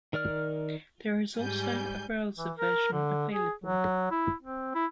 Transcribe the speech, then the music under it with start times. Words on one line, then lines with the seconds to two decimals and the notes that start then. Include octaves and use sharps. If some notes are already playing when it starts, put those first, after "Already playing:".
There is also a browser version available.
0.13 D#3 A#4 D5 F6
1.37 G#2 G3 G#5 G6
2.37 E3
2.57 A#4
2.93 D3
3.32 G#4
3.64 F#3
4.11 E4
4.42 C4
4.75 E4